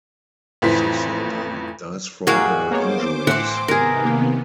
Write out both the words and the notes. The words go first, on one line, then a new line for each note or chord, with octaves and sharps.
Susana dies from her injuries.
A1 F2 E3 C5 B6
A2 G3 G#3 F#4 G#4 A#4 F5
A#3 B3 C5 C#5 D6
A2 E3 C4 E5 F#5 C6
G#1 C3 D#3 E3 B3 G#4 A#4
A#3